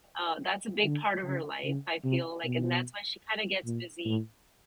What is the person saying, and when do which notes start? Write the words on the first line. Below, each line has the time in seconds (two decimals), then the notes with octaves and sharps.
uh, that's a big part of her life, I feel like and that's why she kinda gets busy
0.84 D3
1.25 C#3
1.64 C#3
2.05 C3
2.45 B2
3.66 A#2
4.05 A2